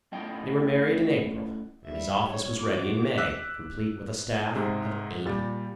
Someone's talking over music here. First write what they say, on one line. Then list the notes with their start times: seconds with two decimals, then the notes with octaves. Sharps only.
They were married in April and his office was ready in May, complete with a staff of eighty.
0.12 F#2 A2 F#3 D4 D#5 G5
1.86 G3 E5
2.29 C#5
2.60 F#4 D6
3.18 D6 E6 F#6 B6
4.55 G#2 C3 G#3
5.26 A#2 G3 A6